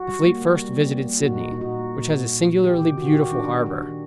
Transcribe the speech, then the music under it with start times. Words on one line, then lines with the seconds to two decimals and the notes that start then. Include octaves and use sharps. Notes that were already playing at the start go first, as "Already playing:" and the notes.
The fleet first visited Sydney, which has a singularly beautiful harbor.
Already playing: F#4
0.09 G3
0.26 A#3
0.42 G3
0.59 G3
0.76 A#3
0.93 A#3
1.10 A#3
1.20 F#4
1.28 A#2 D#4
1.44 A#2
1.52 D#4
1.61 A#2 F#4
1.79 A#3
1.96 A#2
2.13 A#2
2.30 A#2
2.46 A#2
2.64 D#3 G4
2.81 D#3
2.97 D#3 F#4
3.07 G4
3.15 D#3 F#4
3.31 D#3 D4
3.49 D#3
3.66 D#3
3.83 D#3